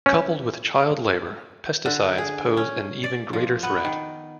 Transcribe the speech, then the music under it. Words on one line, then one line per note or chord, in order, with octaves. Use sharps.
Coupled with child labor, pesticides pose an even greater threat.
C#4
D3
G#4
C#4
D5
F3
B3
D#3